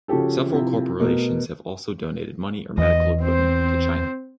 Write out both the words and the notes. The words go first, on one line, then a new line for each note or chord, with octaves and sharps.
Several corporations have also donated money or medical equipment to China.
C#3 F3 F#4 G4 A4
C3 F3 E4
B2 A3 B3 A#4
E2 D#5
C4 C5